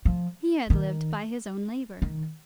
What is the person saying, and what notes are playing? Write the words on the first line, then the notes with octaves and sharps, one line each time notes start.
He had lived by his own labor.
F3
D#3
D#3